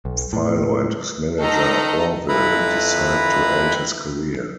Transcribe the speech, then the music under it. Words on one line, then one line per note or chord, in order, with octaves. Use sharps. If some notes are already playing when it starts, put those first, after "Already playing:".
Philo and his manager Orville decide to end his career.
B1
A2
D#3 A4 D#5 A#5
F2 E4 B4 A#5 B5